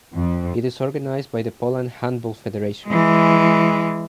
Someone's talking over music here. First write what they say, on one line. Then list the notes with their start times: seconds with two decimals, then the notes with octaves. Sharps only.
It is organized by the Poland Handball Federation.
0.14 F2
2.87 E3 G#3